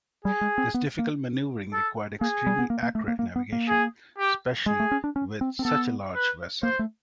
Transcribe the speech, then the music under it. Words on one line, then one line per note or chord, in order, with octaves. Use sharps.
This difficult manoeuvring required extremely accurate navigation, especially with such a large vessel.
G3 G#4
G#3
C4
B3
A#3
A4
A#3 G#4
G3
B3
A#3
A#3
A3
A#3
A#3
B3
A#3
G#4
G4
G#3 G#4
A3
C#4
D4
C#4
C4
C4
B3 A4
B4
A#3 C5
A3